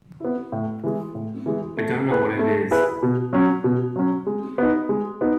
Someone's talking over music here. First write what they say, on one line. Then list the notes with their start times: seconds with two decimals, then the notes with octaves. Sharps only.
I don't know what it is.
0.20 B3 E4
0.52 A2
0.84 E3 G#3
1.15 A2
1.46 E3 G#3
1.77 A3
2.09 E4 G#4 B4
2.39 A3
2.71 E4 G#4 B4
3.03 B2
3.33 F#3 C#4
3.64 B2
3.96 F#3 C#4
4.27 G#3
4.58 B3 D#4
4.89 G#3
5.21 B3 D#4